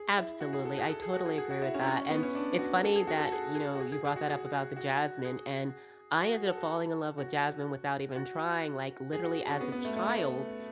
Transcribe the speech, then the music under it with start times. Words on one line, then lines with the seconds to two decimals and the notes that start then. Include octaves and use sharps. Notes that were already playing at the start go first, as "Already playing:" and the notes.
Absolutely. I totally agree with that, and it's funny that you know, you brought that up about the jasmine and I ended up falling in love with jasmine without even trying, like literally as a child.
Already playing: G#4
0.17 E4
0.40 F#4
0.53 G#4
0.65 A4
0.78 G#4
0.89 A4
1.02 G#4
1.13 F#4
1.26 G#4
1.38 G#4
1.51 F#4
1.62 E4
1.74 C#4
1.87 C#4
2.10 B3
2.23 C#4
2.35 D4
2.59 F#4
2.84 A4
2.96 G#4
3.07 F#4
3.19 A4
3.32 G#4
3.55 G#4
3.75 F#4
3.80 G#4
3.92 G#4
4.05 G#4
4.16 F#4
4.28 G#4
4.76 F#4
5.25 G#4
6.21 F#4
6.34 G#4
6.46 A4
6.58 A4
7.18 F#4
8.16 F#4
9.13 G#4
9.24 F#4
9.48 C#4
9.61 B3
9.72 B3
9.85 A3
9.96 A3
10.09 A3